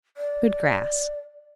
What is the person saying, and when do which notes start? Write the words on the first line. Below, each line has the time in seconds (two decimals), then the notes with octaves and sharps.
Good grass.
0.17 D5